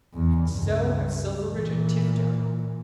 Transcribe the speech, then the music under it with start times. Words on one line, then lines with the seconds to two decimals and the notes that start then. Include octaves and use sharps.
And so have Silverbridge and Tifto.
0.14 E2
0.50 C#2 G2
1.48 A#2 E3